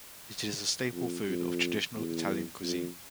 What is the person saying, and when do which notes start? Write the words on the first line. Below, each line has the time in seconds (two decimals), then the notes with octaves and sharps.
It is a staple food of traditional Italian cuisine.
0.93 F2
1.27 F2
1.94 E2
2.62 F2